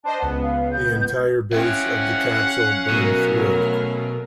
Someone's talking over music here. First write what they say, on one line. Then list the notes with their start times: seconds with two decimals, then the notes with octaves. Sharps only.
The entire base of the capsule burned through.
0.04 D4 C5 D#5 A5
0.19 C#2 B3
0.43 F5
0.71 G6
1.53 C#4 E4 G4 F5 F#5
2.90 B2 F#3 A3 A#4